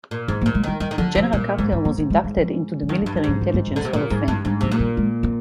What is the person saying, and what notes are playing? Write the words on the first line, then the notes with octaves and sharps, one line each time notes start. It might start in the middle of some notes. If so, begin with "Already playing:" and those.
General Carter was inducted into the Military Intelligence Hall of Fame.
A#2
G#2 C4
A#3
A#2
G#3
D#3 G3
D#3 G3
D#3
D3 F3
C3 F3
A#2 G3
G#2 G#3
C4
A#3
A#3
G#3
G3
F3
F3
G2 D#3
F3
G2
G3
G#2 F3
D#3
G2
F2
D3
G2
C3
A#2 F3
G#2 G3
G2 G#3
G#2 G3
C3 F3
A#2
G3
G#3
C4